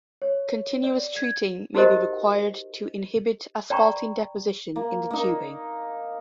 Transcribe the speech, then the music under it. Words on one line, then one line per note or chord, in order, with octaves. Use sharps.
Continuous treating may be required to inhibit asphaltene deposition in the tubing.
C#5
D5
G#6
D#4 F#4 G4 A#4 C5 D#5
D5 G5 A#5 B5 C#6
A#3
A#3 D#4